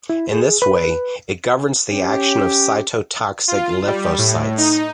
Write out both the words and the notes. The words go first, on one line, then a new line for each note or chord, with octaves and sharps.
In this way, it governs the action of cytotoxic lymphocytes.
E4
G#4
B4
C#4 G4
F4
G3
A2
D#4